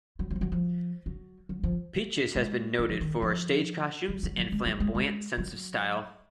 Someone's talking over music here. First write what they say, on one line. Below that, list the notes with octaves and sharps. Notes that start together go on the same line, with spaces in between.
Peaches has been noted for her stage costumes and flamboyant sense of style.
F#3
F#3
F3
F#3
F3
F#3
F#3
F3
G#3
D#3
F3
D#3
F3
F#3
F#3
F#3
G#3
F#3
G#3
G#3
F#3